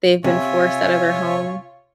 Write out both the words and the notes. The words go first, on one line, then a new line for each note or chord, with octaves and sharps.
they've been forced out of their home.
C3 F4 C#5 E5 G#5